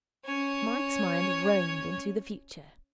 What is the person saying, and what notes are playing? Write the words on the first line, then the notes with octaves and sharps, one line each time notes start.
Mike's mind roamed into the future.
C#4 C#5